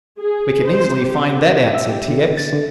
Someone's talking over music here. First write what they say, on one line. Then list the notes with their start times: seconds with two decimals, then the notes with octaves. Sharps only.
"We can easily find that out," said T. X.
0.19 G#4
0.66 C5
1.05 G4
1.75 E5
1.89 G4
2.08 D3
2.37 A6
2.53 D3